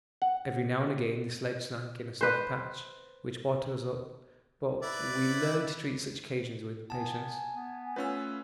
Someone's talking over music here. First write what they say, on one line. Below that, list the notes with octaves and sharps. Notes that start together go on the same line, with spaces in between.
Every now and again the sledge sank in a soft patch, which brought us up, but we learned to treat such occasions with patience.
F#5
B4 C5
E4 B4 D5
B3 G#5 A5
B3
A3 C#4 F4 B4 E6